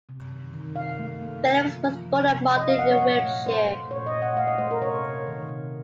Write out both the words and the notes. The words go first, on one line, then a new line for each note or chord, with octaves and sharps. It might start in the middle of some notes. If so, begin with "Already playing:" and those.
Philips was born at Marden in Wiltshire.
C3
D#3
D#3
C3 F5
A3
A#3
C3
F3
F3
C3
C3
F3 D#5
F5
C3 F#5
C#5
A#2
A3
A3 C5
A3
A#2 C#5
D#5
A#2
F#5
A3 F5
D#5
A3 C5
A#4
C3 C#5
C3
D#3
C3